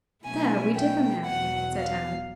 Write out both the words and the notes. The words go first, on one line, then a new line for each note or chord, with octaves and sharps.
"There we differ, Mary," said Anne.
B2 F#3 A3 C#4 E4 G#5
G5
E2 B2 F#3 F#5
F5